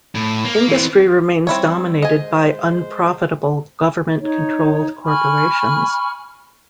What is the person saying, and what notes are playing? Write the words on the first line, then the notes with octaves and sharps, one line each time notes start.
Industry remains dominated by unprofitable government-controlled corporations.
A2
A#3
E3 C4
F3 G3 C4 E4 C#5
G#3 C5 D#5 G#5
D#4 C#5
G#5 B5 C#6 F6